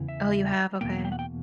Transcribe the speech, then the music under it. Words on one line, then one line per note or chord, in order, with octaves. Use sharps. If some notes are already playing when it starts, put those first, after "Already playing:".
Oh, you have? Okay.
Already playing: E2 C#3 E3
E5
E2 B2 A#3 G5
G5
F#5
G5